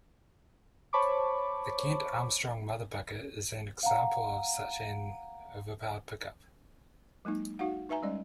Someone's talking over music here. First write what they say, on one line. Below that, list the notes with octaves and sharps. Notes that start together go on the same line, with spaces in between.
The Kent Armstrong "Motherbucker" is an example of such an overpowered pickup.
C5 C#5 A5 B5 C#6 D6
F5 F#5 A#5
F#3 G#3 A#3 D#4
D#4 F#4 F5 F#5
D#4 B4 E5 G#5 A#5
G3 G#3 C#4 D5 D#5